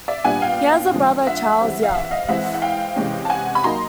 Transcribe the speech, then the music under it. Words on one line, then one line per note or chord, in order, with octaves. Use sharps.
He has a brother Charles Young.
D5 E5
A#2 G3 B3 D4 F#5 G#5
F5 G5
D3 F3 G#3
E5 F#5
E3 G3 C4
F5
E5 F#5
D#5 F5
E3 G#3 C4 E4 E5 F#5
F#5
F5 G5
C3 E3 G#3 C#4
A5
F#5 G#5
B5
F#3 A#3 D#4 A#5 C6